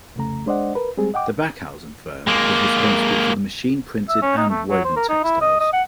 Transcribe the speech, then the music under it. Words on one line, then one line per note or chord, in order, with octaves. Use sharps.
The Backhausen firm was responsible for the machine-printed and woven textiles.
C2 F2 C#3 A3 A#5
G#3 D4 C5 D5 D#5 F#5
A#4 B4
G3 G#3 C4 G#4
D#5 F#5 G5 D6
G#3 A#3
E5
C#4
D#4
A3
F#3
C5
A#4
D#4
E4
D#5
D#5
F#5